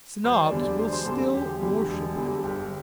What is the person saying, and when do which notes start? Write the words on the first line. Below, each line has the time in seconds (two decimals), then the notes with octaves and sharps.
Snobs will still worship him.
0.24 E1 C5
0.43 D5
0.51 E2 D3 G3
0.60 D5
0.79 E1 C5
0.92 C5
1.06 E2 D3 G3 A4
1.33 E1 G4
1.61 E2 D3 G3
1.89 E1
2.15 E2 D3 G3
2.35 A4
2.43 G1 G4